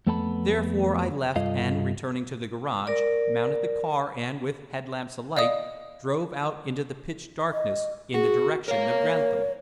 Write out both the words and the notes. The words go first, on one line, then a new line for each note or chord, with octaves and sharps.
Therefore I left and, returning to the garage, mounted the car and, with head-lamps alight, drove out into the pitch darkness in the direction of Grantham.
F2 A3 B3 A4 A5 B5
C2 G2 F4 A4 D#5 F5
A#4 D5
D5 D#5 F5 D#6
D#5
F#4 G#4
A#4 C#5 F5